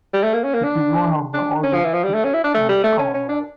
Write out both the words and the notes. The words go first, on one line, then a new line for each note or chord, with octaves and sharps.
It is one of the oldest cities in the Commonwealth.
G3
A3
A#3
C#4
A#3
D4
D4
C#4
F3
E3
F3
G3
A3
C#4
E4
D4
A3
G3
A3
C#4
C#4
D4